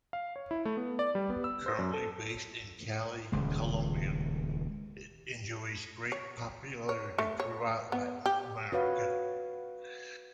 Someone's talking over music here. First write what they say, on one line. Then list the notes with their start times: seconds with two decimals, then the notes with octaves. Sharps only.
Currently based in Cali, Colombia, it enjoys great popularity throughout Latin America.
0.13 F5
0.36 C#5
0.51 E4
0.65 A3
0.77 B3
0.99 D5
1.15 G3
1.30 B3
1.44 E6
1.66 C5
1.78 F#2
1.93 A4
3.32 D#1 C#2 G#3
6.12 C#5
6.89 C#5
7.18 A3
7.40 C#5
7.92 B3
8.26 G4
8.72 F#4 B4 C#5 F5